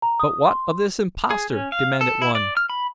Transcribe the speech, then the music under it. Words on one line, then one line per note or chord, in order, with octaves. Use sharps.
"But what of this impostor?" demanded one.
A#5
D#6
C6
G#4
C#4
F5
A4
E4
D5
F6
B5